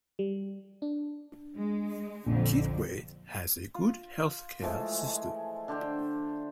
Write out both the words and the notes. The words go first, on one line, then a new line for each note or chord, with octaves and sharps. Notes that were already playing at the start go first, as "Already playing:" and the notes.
Kitwe has a good health care system.
G3
D4
G#3
A#1 F2 D3
F4
E3 F3 G#3 A3
D3 D4 C5 G5